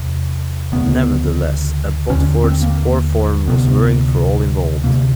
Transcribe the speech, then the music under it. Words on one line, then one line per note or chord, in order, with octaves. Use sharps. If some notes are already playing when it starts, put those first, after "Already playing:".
Nevertheless, Abbotsford's poor form was worrying for all involved.
Already playing: E2 C3
D2 C#3 B3
D#2 D3 C#4
C4
A#3
D2 C3 B3
D2 C3 A#3